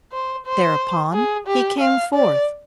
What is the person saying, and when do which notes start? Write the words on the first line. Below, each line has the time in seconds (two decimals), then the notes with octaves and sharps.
Thereupon he came forth.
0.12 C5
0.46 C5
1.13 G#4
1.47 G4
1.80 F5
2.14 D5